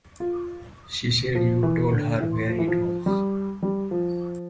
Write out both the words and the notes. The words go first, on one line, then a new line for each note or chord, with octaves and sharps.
She said you told her where it was.
F4
F3
E3
D3
E3
F3
E3
F3
G3
G3
F3